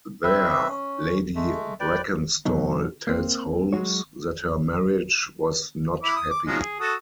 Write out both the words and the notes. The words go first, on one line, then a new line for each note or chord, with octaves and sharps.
There, Lady Brackenstall tells Holmes that her marriage was not happy.
C4 B4 E5
C#4
G#3 A3
B4 D5 G5
E2 B2 F#3 D#4
A#3 C4
F#3 G#3 F#4 C#5
E4 D6
D#6
D6
F3 F#3 G#3
G#4
F#4 A4 D#6